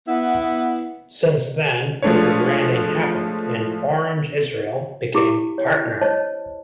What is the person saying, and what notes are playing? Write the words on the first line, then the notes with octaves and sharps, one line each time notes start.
Since then, the rebranding happened and Orange Israel became "Partner".
B3 E4
F3 G#3 A3 D4 B4 C#5
E4 G4 D6
C#5
C5 C#5 D#5 A5